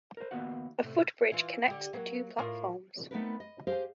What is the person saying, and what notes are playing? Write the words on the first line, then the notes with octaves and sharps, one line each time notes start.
A footbridge connects the two platforms.
A#4 C5
D#3 E3 A#3 B3 F#4 F#5
A2 C3 A3
E3 F4
D3 G4
F#3 A#3
A2 F4 A#4
A3 B3 C4 D#4 A#4 B4
D#5
G4 G#4 C5 D#5 F5